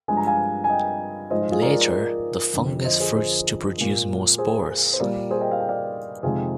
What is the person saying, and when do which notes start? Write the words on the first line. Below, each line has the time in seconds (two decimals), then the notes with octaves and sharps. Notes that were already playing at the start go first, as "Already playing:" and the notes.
Later, the fungus fruits to produce more spores.
0.08 G2 F3 G#3 G#5
0.17 A#5
0.27 F5 G#5
0.64 G#5
0.69 D#5 G5
1.30 G#2 F3 G#3 C5 D#5
1.41 F4
1.51 F4 G#4
1.62 A#4 D5
2.53 F2 D3 F3
2.84 C5 D#5
3.00 G#4 C5
3.16 G#4 C5
3.77 A#2 G#3
4.38 G#4 C5
4.93 C5
5.00 A#2 G3 A#3 A#4 D5
5.30 G#4 C5
5.41 D#5 G5
5.51 F5
5.60 G5
5.69 D5 F5
6.23 F2 C3 D#3 G#3 F4 G#4